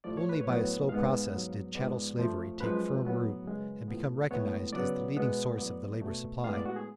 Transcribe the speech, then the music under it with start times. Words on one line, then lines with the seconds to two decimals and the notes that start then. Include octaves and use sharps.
Only by a slow process did chattel slavery take firm root and become recognized as the leading source of the labor supply.
0.04 A2 F3 A3 D5
0.17 C#5
0.29 B4
0.41 C#5
0.47 A2 F#3 B3
0.89 G#2 G#3 B3 F5
1.32 G#2 F#3 B3
1.75 G#2 F3 G#3 B3 D5
2.17 F2 F3 A3
2.60 F#2 F3 G#3 B4
3.03 A2 F#3 B3
3.45 F#2 C#3 G#3
3.88 A2 F3 B3
4.31 A2 G#3 B3 C#5
4.73 C#3 F#3 B3 D5
5.16 B2 G#3 B3
5.58 A2 F#3 B3 D5
6.01 B2 A3
6.44 A2 G#3 B3 F5
6.54 D5
6.66 F#4
6.76 G#4